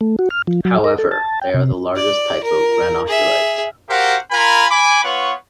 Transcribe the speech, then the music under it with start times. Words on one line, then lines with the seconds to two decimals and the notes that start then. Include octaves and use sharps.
However, they are the largest type of granulocyte.
0.01 A3
0.19 F#4
0.30 F6
0.47 F3
0.65 F#3
0.84 A#4
0.98 A4
1.11 A5
1.41 G5
1.54 C3
1.96 D5
2.44 A#4
3.08 G#4 E5
3.90 F#4 G4 A#4 C5 F5 F#5
4.31 F4 A#4 G#5 A#5 B5
4.70 G#5 B5 D6
5.04 B3 F4 B4 C#5 F#5 C#6